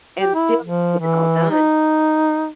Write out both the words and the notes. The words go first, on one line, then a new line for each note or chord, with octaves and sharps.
and still get it all done.
G4
E4
F3
E3
D#4